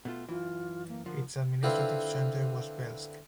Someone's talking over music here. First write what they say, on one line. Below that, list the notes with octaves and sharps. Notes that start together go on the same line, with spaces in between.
Its administrative centre was Velsk.
B2 A3 F4
F#2 E3 F4
A#3
D3 F3 A#4
D3 C4 E4 F4 B4